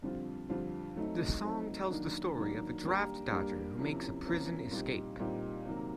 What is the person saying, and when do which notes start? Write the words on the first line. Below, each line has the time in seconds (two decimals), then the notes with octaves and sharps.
The song tells the story of a draft dodger who makes a prison escape.
0.02 F2 D3 G3 C4 F4
0.49 F2 D3 G3 C4 F4
0.96 F#3 A3 C4 D#4
1.43 F#3 A3 C4 D#4
1.90 D#3 F#3 A#3 D4
2.37 D#3 F#3 A#3 D4
2.84 G3 A#3 D4 G4 A#4
3.31 G3 A#3 D4 G4 A#4
3.78 C3 F3 A#3 C#4 E4
4.25 C3 F3 A#3 C#4 E4
4.72 A#2 G3 C4 D#4 G4
5.19 A#2 G3 C4 D#4 G4
5.66 C3 D#3 F#3 A#3